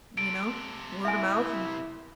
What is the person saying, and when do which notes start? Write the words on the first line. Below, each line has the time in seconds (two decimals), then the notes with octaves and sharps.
you know, word-of-mouth.
0.17 C3 A4 D7
1.05 E4 E5 G#5